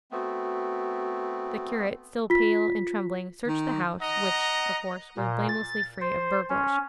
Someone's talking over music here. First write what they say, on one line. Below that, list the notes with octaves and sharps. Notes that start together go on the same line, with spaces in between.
The curate, still pale and trembling, searched the house, which, of course, was blamelessly free of burglars.
A3 B3 C4 F#4
F4 B6
D#3
D#5 F#5 A#5
A#2
A6
C5
C#4